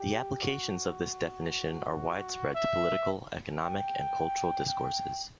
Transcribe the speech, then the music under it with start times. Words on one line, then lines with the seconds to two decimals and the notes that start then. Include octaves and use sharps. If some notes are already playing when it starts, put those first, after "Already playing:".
The applications of this definition are widespread to political, economic, and cultural discourses.
Already playing: G4
0.42 F#4
2.54 E5
3.61 G5
4.67 G5